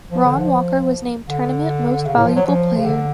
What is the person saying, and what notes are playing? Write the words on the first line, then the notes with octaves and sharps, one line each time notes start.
Ron Walker was named Tournament Most Valuable Player.
F3
D3
F3
D3
C#3
A2
F3
F#3
F3
C#3
D3